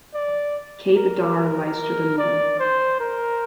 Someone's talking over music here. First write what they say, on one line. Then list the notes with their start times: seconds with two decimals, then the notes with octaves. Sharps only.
Cape Adare lies to the north.
0.14 D5
0.96 A#4
1.37 A#4
2.18 D5
2.60 C5
3.00 A#4